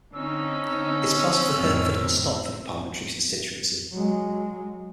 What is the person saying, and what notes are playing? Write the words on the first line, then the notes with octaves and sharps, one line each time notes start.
It is part of the Hertford and Stortford Parliamentary Constituency.
D3 C4 C#4 D#4 E6
F2 A2 D#3
F#3 G#3